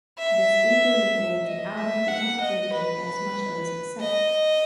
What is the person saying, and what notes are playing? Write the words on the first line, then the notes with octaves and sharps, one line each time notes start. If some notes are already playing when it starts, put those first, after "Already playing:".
This eagerly awaited album did not prove to be as much of a success.
E5
D#5
E5
F#5
D#5
B4
D#5